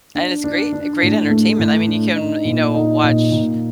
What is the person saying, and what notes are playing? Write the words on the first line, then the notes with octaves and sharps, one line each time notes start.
And it's great great entertainment, I mean, you can you know, watch
D4
D4
D4
A2
A3
A2
D4
D#4
A#2
D#4
A#2
A#2